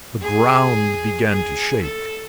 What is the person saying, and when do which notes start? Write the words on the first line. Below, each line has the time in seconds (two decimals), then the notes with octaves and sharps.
The ground began to shake.
0.22 G#4
1.29 G#4
1.83 A4